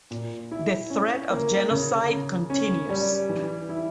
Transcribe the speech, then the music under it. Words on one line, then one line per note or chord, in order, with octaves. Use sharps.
The threat of genocide continues.
A#2
E4
C#4
A#3
C#3
C#3
C#4
G3
E3
E4